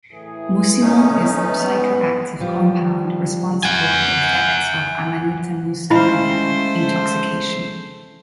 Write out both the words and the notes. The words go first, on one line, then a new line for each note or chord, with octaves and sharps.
Muscimol is the psychoactive compound responsible for the effects of "Amanita muscaria" intoxication.
A2 E3 G#4
A3 C#4 D#4
B3
F3 G3
F#5 G#5
G#3 A3 C#4 E4 C5 F5 B5